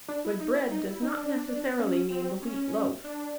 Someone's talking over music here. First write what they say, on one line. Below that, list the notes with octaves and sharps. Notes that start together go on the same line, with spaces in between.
But "bread" does not necessarily mean the wheat loaf.
D4
E4
D#4
E4
D#4
E4
D#4
D4
C#4
C4
C#4
D4